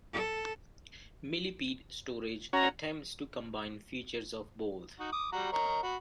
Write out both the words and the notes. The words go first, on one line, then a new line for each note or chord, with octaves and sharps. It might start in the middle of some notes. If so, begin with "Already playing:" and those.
Millipede storage attempts to combine features of both.
A4
C#4 F#4 A#5
D#4 F#4
D6 D#6
G3 F#4 A#5
A#4 C#5 D#5
F#4 B5